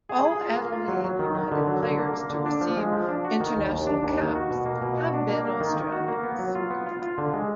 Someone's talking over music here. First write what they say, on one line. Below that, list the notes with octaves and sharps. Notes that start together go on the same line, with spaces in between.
All Adelaide United players to receive international caps have been Australians.
G#4
G#4
F4
A#3
F4
F#3
F#3
D#3
D#3
D3
F#3
D3
A#3
A#3
D3
D4
F3
G#3
F3
D4
F#4
D#3
D#2
D#2
D4
D#2
D#3
F#4
B2
A#3
B2
F#4
D4
A#3
A#3
D#3
D#3
F#4
A#3
B3
F#3
F4
B3
F4
F4
D3
G#3